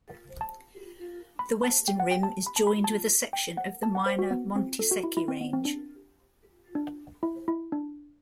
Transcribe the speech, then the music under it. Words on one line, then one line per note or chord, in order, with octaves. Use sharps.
The western rim is joined with a section of the minor Montes Secchi range.
A5
B5
A5
G5
F#5
G5
A5
B5
A5
B5
A5
G5
F#5
A5
F#5
C5
F#4
B3
C4
A4
F#4
E4
E4
C4
B3
C4
D4
D4
E4
E4
D4